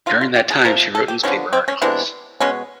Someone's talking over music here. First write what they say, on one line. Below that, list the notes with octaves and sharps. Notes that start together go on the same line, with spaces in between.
During that time she wrote newspaper articles.
D3 F#3 A#3 F4
F4
G4
G#4
C3 F3 A#4
A4
G4
D3 F3 G#3 B3 C#4
C4
C#4
C3 E3 G#3 B3 D4
B2 G#3 B3 C#4